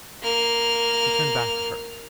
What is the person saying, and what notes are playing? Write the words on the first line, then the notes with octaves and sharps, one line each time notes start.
He turned back to her.
A#3 F6